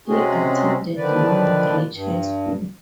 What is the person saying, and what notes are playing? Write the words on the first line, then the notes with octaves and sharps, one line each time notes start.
He attended Long Reach High School.
C3 G#3 C4 C#4 F#4 G#4
D3 D#3 F3 B4 D5
G2